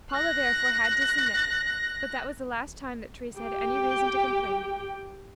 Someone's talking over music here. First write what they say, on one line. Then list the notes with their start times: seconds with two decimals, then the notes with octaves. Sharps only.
Paula therefore had to submit; but that was the last time that Teresa had any reason to complain.
0.11 F#6 A#6
3.39 G4 G5